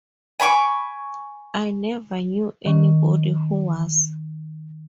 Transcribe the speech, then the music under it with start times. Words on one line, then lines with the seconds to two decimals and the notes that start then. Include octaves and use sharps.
I never knew anybody who was.
0.40 G#5 B5 C#6 D6
2.66 D#3 C#4